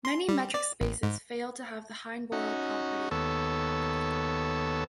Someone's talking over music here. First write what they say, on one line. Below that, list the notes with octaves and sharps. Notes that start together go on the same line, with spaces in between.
Many metric spaces fail to have the Heine-Borel property.
C6
G3
D5
A1
G#2
C#4 D#4 F#4
D#2 B3 A4 C#5 E6